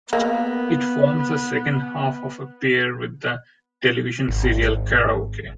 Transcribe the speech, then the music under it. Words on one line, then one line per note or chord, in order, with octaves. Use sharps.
It forms the second half of a pair with the television serial "Karaoke".
A#3 B3
G#1